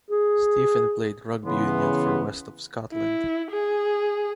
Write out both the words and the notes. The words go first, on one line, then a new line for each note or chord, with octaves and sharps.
Stephen played rugby union for West of Scotland.
G#4
C#3 E3 B3 C6
E4
G#4